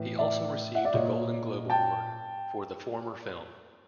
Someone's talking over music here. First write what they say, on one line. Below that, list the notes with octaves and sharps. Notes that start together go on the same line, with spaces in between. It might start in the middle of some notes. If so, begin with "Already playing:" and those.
He also received a Golden Globe Award for the former film.
Already playing: A2 E3
D5 E5
E5 F#5
D5 E5
A#2 C#5 D#5
G5 A5